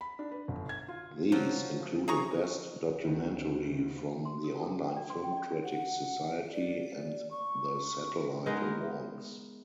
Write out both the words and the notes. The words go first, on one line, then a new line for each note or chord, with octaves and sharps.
These included Best Documentary from the Online Film Critics Society and the Satellite Awards.
B5
D4
B4
G1
G#6
F4
F3 F#3
G#4 A#5 C#6
D2 D#3 B3
C6
A4
G#4
G5
D5
C6
G5
D5
F#5
D5
C#6
G#3 B3 D#4 A#4